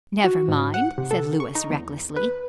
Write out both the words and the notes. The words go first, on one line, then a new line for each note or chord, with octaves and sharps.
"Never mind," said Louis recklessly.
F#4
G#2
F#5
C3
A4
C#6
D#4
E2
B4